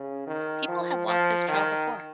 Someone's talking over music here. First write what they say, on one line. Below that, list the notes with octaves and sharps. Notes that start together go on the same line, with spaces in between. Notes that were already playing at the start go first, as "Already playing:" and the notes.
People have walked this trail before.
Already playing: C#3
D#3
F3
F3
D#3